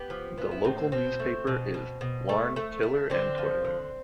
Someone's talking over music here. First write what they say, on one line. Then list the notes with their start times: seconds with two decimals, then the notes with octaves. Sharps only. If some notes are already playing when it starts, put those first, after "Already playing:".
The local newspaper is "Larned Tiller and Toiler".
Already playing: B3 G4
0.10 F3
0.38 B3 F4
0.51 E4
0.64 A2 C4
0.78 C4
0.92 B2 C4
1.19 A3
1.47 B2
1.74 B2
2.01 B2
2.29 A3
2.56 A3
2.83 A3
3.10 D3 C4
3.38 F3
3.65 D3